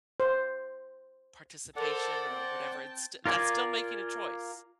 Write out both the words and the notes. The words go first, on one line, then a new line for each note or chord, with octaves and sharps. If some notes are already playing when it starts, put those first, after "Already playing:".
"Non-participation," or whatever. It's st that's still making a choice.
C5
A4 A#4 C5 D5 F#5
C4 G5 A5
F4 A#4 D5 G#5